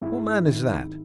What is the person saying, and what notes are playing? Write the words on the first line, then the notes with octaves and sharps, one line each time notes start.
"What man is that?"
G#2 E4
D#3